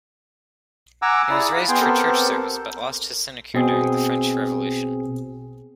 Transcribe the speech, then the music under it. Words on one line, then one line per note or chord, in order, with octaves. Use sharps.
He was raised for church service, but lost his sinecure during the French Revolution.
F#5 G#5 A#5 D6 E6
E4 G#4 D5
F5 F#5
B3 G#4 G5 G#5 C6
B3 C4 G4 A4 A#4
B2 C4 G#4